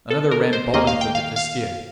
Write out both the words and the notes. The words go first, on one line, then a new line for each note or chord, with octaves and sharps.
Another ran bawling for the vestiaire.
A4
A#4
C5
D#2 D#3 A#3 D#5
F5
G5
F5
F5